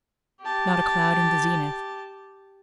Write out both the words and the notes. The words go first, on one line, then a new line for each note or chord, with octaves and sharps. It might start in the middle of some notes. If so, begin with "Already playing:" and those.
Not a cloud in the zenith.
G4 A5